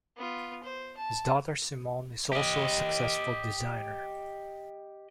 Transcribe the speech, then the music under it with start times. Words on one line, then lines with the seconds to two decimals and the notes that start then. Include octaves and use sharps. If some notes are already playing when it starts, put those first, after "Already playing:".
His daughter Simone is also a successful designer.
0.17 B3 F4
0.63 C5
0.97 A5
2.33 G4 D#5